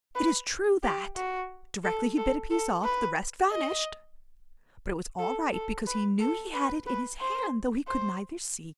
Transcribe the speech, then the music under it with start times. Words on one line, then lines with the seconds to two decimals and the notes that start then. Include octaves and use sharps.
It is true that, directly he bit a piece off, the rest vanished; but it was all right, because he knew he had it in his hand though he could neither see nor feel it.
0.15 B4
0.83 G4
1.16 F#4
1.83 A4
2.17 A4
2.50 A4
2.84 B4
3.51 D#5
5.19 A4
5.52 A4
5.87 B4
6.20 A4
6.54 B4
6.87 B4
7.21 C5
7.88 C5